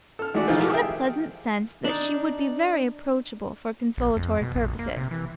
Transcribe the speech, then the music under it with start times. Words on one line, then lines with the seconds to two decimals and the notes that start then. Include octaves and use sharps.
He had a pleasant sense that she would be very approachable for consolatory purposes.
0.19 A4 F6
0.34 D#3 G#3 A3 D#4 F#4 D5
0.48 A#1 E3 D#4 F4 G#4 C5
0.60 G4 A4 A#4 F5
0.73 G#4 E5 G5
1.84 D4 D#4
3.98 A#1
4.17 F2
4.42 B2
4.55 A#1
4.79 A#3
4.97 C3
5.11 E3